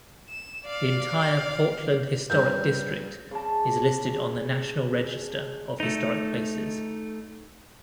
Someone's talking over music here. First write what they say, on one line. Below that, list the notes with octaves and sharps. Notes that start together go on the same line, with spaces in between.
The entire Portland Historic District is listed on the National Register of Historic Places.
E7
D5 F5
G2 A#2 C#3 G6
C#3 D5 A5
A3 D#4